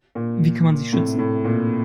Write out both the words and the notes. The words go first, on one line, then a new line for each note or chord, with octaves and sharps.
Wie kann man sich schützen?
A#2
A2 C3
A2
A#2